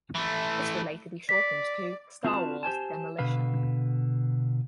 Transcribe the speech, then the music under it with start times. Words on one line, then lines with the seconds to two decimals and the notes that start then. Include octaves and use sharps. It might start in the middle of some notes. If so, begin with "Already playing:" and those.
This would later be shortened to "Star Wars: Demolition".
0.15 E3 A3
1.29 D5 B6
2.25 C4 D4 F4 F#4 B4 A5
2.63 G4 C5 G#5 A5
3.18 B2 D3 B4 F5